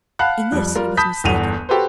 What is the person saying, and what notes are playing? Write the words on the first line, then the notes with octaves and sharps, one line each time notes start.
In this he was mistaken.
F5 F#5 A5 B5 F#6
F2 G3
G3 F4 A#4
A5 B5 D#6 G6 B6
G1 E2 D#7 F7
F#4 G4 A4 B4 C5